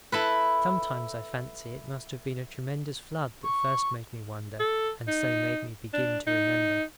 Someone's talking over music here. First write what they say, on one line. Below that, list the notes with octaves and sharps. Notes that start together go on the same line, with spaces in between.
Sometimes I fancy it must have been a tremendous flood that first made me wonder, and so made me begin to remember.
E4 A4 B4
C#6
A4
D#4
D4
D#4